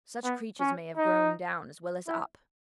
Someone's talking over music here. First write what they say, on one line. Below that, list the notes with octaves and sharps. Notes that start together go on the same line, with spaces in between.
Such creatures may have grown down as well as up.
B3
C#4
D#4
E4